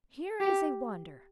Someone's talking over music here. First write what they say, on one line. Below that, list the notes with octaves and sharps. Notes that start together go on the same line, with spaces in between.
"Here is a wonder!"
G4